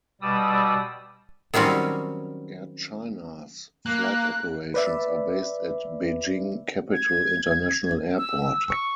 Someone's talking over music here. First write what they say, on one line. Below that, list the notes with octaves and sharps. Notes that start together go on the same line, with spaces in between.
Air China's flight operations are based at Beijing Capital International Airport.
B2 G3 D5 D#6 E6
D#3 F#3 G3 C4 C#4
A#3 F#6
B4 D5 E5
G#6
E6
C#6